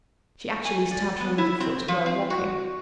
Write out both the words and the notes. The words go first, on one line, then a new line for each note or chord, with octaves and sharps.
She actually stamped her little foot while walking.
G#5
D5
B3
E4
C4
F3
C4
F#4